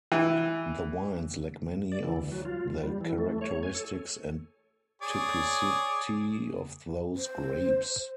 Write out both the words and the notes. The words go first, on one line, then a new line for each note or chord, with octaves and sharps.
The wines lack many of the characteristics and typicity of those grapes.
E3
D5
E3
D2
F#3
F4
E2
G3
E3
A3
C#5
G#5
A4
G#4 C#5 D5
C5